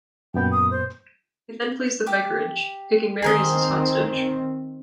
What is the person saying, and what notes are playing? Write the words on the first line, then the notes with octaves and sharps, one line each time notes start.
He then flees the vicarage, taking Mary as his hostage.
F#2 A#2 B3 G5
D#6
C5
G4 D6
D#3 C4 G#4 A#4 D#5